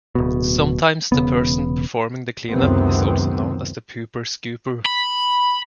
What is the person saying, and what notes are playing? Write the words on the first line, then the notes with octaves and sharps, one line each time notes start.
Sometimes, the person performing the cleanup is also known as the pooper-scooper.
D1 B2
E1 C#3 B3
C#2 F#2 C3 D#3 B3 C4
B5